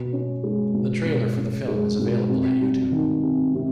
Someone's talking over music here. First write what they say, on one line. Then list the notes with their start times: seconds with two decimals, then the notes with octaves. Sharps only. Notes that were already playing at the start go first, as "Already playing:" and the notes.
The trailer for the film is available at YouTube.
Already playing: B2
0.13 C#4
0.44 G#3
0.74 B2
1.06 B2
1.37 C#4
1.68 G#3
1.99 B2
2.29 C3
2.61 G3
2.92 D#3
3.23 C3
3.55 C3